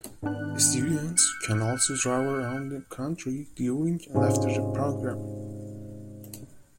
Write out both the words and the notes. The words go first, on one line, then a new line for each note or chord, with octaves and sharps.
Students can also travel around the country during and after the program.
G#2 D#3 B3 D4 F#6
E6 F#6 G6 C#7
G#2 C3 G#3 C#4 F4